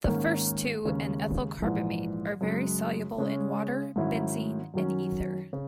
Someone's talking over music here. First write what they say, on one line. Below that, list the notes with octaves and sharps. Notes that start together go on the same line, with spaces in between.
The first two and ethyl carbamate are very soluble in water, benzene, and ether.
G#2 D#3 A#3 C#4
D#2 C#3 G#3 C#4
A#1 G#2 E3
F#2 C#3 G#3
C#3 G#3 C#4
G#2 D#3 F#3 C#4 E4
F#2 D#3 F#3 C#4
C#3